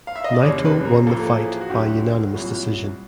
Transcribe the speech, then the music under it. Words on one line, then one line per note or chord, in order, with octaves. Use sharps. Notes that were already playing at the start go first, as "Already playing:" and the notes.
Naito won the fight by unanimous decision.
F5
E5
D#5
D5
F1 D#2 C#3 C#5
B4
A#4
A1 A2 F3 A#3 A4
A4
G#4
F#4
D2 D3 F#3 G4
C2 A#2 F#3